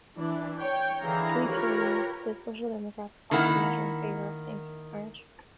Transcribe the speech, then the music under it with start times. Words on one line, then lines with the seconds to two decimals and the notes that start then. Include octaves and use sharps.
Two weeks earlier, the Social Democrats passed a measure in favor of same-sex marriage.
0.17 E3 D4
0.59 C#5 G5
1.02 D3 E3 E4 G#4 F5 A#5
1.45 F4 G4 A#4 B4 C#5
3.31 D#3 A#3 E4 A#4 F#5